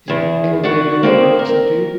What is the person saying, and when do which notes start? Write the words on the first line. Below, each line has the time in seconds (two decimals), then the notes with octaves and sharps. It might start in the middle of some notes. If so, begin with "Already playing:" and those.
Isn't everybody doing their work except you?
0.08 E2 G#4
0.63 D4 F#4
1.03 A#3 C4 D5
1.39 A#4